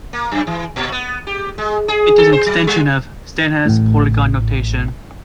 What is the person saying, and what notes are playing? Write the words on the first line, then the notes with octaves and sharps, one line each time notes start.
It is an extension of Steinhaus's polygon notation.
A#3
F#2
E3
A#2
B3
G4
G#3
G#4
A4
C5
F#3
G3
A1 A2